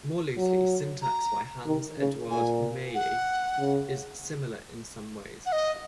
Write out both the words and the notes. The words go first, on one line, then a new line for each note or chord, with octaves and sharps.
More loosely, Syntax by Hans Eduard Meier is similar in some ways.
F#3
A#5
D#3
C#3
A#2 G#5
F#5
C#3
F#5
D#5